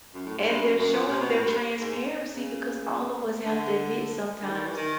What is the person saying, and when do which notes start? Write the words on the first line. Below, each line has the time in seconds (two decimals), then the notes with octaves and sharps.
and they're showing their transparency, because all of us have to admit sometimes
0.14 F#2
0.26 A2
0.38 G#2
0.50 G2
0.62 F#2
0.78 F#2
0.93 A#2
1.09 C3
1.20 B2
1.32 A2
1.45 G2
1.80 G#2
2.35 C#3
3.46 D3
4.42 D3
4.48 E3
4.53 D#3
4.65 E3
4.77 D#3